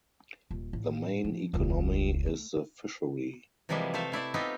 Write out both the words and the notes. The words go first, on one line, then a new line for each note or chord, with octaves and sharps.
The main economy is the fishery.
D#1
A1
F3
E1 C#2
A3
C3 E3 F3 G3 G#3 A#3
A3 A4 C5 E5 F5
A3 E4 D5 E5
B3 C4 D#4 F4 G4